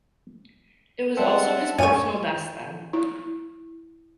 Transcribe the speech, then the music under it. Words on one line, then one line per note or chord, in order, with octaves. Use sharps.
It was also his personal best then.
G3 C4 E5 F#5 A5
F#2 C#4 C#5 G#5 C#6 D#7
E4